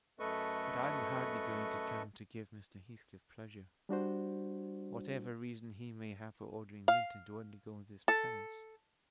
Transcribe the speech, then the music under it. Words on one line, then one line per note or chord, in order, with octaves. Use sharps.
But I'm hardly going to come to give Mr. Heathcliff pleasure; whatever reason he may have for ordering Linton to undergo this penance.
F#2 A3 A4 B4 D#5 C#6
G3 D4 F#4 C5
F5
A4